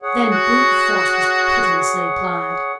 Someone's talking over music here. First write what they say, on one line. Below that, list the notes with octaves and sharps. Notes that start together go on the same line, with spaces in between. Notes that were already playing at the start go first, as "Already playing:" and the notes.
Then brute force was pitilessly applied.
G#4 C#5 F#5
F#4